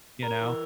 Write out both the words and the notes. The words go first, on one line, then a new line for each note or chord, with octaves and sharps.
you know,
A#4
E3